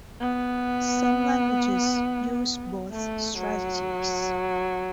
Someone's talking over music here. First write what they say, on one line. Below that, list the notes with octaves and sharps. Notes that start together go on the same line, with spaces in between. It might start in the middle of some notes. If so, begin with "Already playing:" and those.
Some languages use both strategies.
B3
A3
F#3